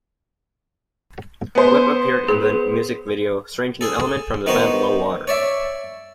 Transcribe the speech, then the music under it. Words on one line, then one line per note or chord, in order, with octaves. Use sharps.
Webb appeared in the music video "Strange New Element" from the band Low Water.
B3 C5
G#4
G#4 A4
D#3 B3 F#4 C5
C#5 D5 E5